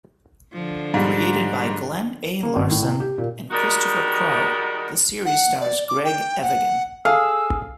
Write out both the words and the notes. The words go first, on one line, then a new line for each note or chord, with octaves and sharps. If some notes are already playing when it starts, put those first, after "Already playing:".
Created by Glen A. Larson and Christopher Crowe, the series stars Greg Evigan.
D3 F3
G#2 G3
A#3
G#1
A2
C3
G4
A#2
D#3 G3 G#3 D#4 F#4 A#4
F#5
D5
D6
G5
F#5
G#4 A4 F5 D#6 E6